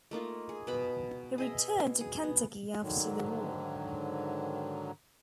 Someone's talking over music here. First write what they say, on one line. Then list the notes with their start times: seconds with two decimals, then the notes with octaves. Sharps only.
He returned to Kentucky after the war.
0.11 A3 A#3 D#4 F4
0.49 G#4
0.67 B2 B5
1.38 G#4 D#5 E5
2.01 G#4
2.23 B3
2.82 G#2 D3 D#3 F#3